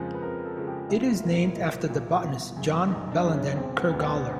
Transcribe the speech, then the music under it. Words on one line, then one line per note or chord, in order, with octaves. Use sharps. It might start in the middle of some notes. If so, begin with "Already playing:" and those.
It is named after the botanist John Bellenden Ker Gawler.
Already playing: F2 C#3 F3 G#3 A#4
B4
F2 A#4
A4
C#3 F3 G#3
G4
C2 E4
F4
E4
F4
A#2 F#3 A#3 E4
F4
E4
C2 E4
A#2 F#3 A#3
G1
F#2 C#3
G1 D#4
D4
F#2 C#3
C#4
E1 C4
B3
D2 D3
B3